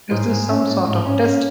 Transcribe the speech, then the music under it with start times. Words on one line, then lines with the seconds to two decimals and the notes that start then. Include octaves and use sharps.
Is this some sort of test?
0.10 G#2 C5
0.29 G#3
0.48 C#4
0.68 G#2
0.86 G#2
1.05 C#4
1.25 C#4